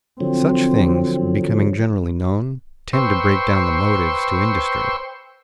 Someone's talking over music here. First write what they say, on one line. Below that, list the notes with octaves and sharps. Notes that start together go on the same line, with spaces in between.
Such things becoming generally known tend to break down the motives to industry.
D3 F3 F#3 C4
B4 C5 G5 C6 C#6 E6